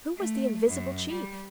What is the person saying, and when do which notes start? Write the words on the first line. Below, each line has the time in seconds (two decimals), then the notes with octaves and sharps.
Who was the invisible chief?
0.16 A3
0.67 F#2
1.11 G3